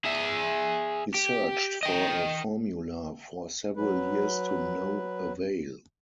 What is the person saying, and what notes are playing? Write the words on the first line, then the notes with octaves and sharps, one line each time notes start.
He searched for a formula for several years to no avail.
G#4 E5
G4
D#5 G5
F#3 B4